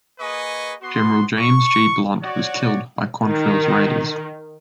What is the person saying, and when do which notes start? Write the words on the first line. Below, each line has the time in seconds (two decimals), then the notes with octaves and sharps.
General James G. Blunt, was killed by Quantrill's Raiders.
0.20 A#3 G#4 B4 D#5 G#5 C#6
0.82 B3 F#4 C6
1.37 C#6
2.22 F#4 C#5 D5
3.24 D#3